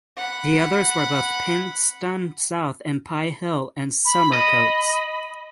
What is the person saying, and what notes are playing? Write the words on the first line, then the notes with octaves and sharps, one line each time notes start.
The others were both Pinxton South and Pye Hill and Somercotes.
F#5 B5
B5
D#5 B5